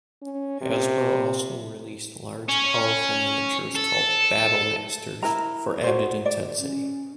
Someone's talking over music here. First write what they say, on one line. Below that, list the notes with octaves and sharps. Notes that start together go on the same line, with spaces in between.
Hasbro also released large, powerful miniatures called "Battle Masters," for added intensity.
C#4
C3
C#4
A4
E4 A#4 A#5
F#4 C5
D5
C#4